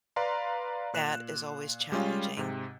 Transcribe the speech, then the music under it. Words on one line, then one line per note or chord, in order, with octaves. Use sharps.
that is always challenging,
B4 D5 F5 A#5 C6
A#2 F#6 E7
G3 G#3 C#4 F4
G#2 C3